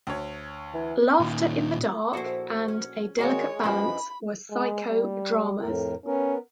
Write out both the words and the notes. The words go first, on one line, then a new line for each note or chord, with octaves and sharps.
"Laughter in the Dark" and "A Delicate Balance" were psycho-dramas.
D2 C#5
E3
A#2 D#3
A#1 E4 F#4 A4 C5
C#4
D#3 G#3 F#4 A#4 C#5 D5
F#2 F3 D4 E4 B4 D#5 G#5 B5
G#3
G3
F2 A2 A#4
B3 C#4 A#4